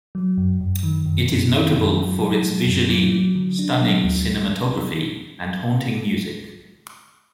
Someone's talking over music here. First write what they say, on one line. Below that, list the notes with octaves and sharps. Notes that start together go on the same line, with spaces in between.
It is notable for its "visually stunning cinematography and haunting music".
F#3
F#2
F#2
D#3
F#2
F#2
D#3
F#2
F#3
F#3
F#3
F#2
F#3
F#3
D3
D4
F#3
D2